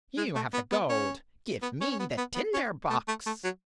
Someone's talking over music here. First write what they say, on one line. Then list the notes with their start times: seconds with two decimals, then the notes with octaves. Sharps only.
"You have the gold, give me the tinder-box!"
0.18 G#3
0.35 A3
0.54 B3
0.72 B3
0.89 C#4
1.63 B3
1.81 C#4
1.91 C#4
1.99 B3
2.18 B3
2.35 B3
2.54 C#4
2.90 A3
3.08 A3
3.26 A3
3.44 F#3